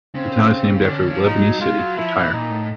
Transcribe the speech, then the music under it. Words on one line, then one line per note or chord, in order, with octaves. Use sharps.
The town is named after the Lebanese city of Tyre.
C#3 C4
D#3
D3 C#4
F3
D#4
F#3
G#3 F4
F#3
F3 E4
E3
A#2 D#4
A2